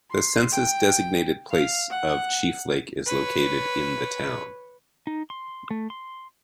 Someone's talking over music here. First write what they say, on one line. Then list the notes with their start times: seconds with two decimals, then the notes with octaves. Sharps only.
The census-designated place of Chief Lake is located in the town.
0.10 C6
0.52 G5
1.51 F5
1.90 F#5
3.06 B4 C#5
5.07 D#4
5.30 C6
5.71 A3
5.90 C6